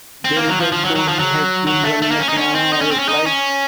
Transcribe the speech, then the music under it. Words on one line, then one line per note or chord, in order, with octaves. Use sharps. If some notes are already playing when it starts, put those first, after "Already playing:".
They look as though he had been drumming a piano all his life.
C4
A#3
F#3
F3
F3
F#3
F#3
F3
F#3
F#3
A3
A3
A#3
C#4
D#4
C#4
C4
D#4
C#4
C4
C#4
D#4
C#4